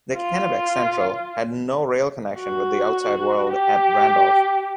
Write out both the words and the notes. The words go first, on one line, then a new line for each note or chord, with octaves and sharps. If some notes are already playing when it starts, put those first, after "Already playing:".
The Kennebec Central had no rail connection with the outside world at Randolph.
F4
F#4
G4